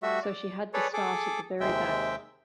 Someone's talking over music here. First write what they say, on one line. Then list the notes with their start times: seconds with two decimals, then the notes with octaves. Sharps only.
So she had to start at the very back.
0.03 G3 A3 F#4 E5
0.22 D5
0.73 G#4 A4 B4 C#5 D5
0.93 G#4 A4 D6
1.60 D#2 C3 G#3 E5 G5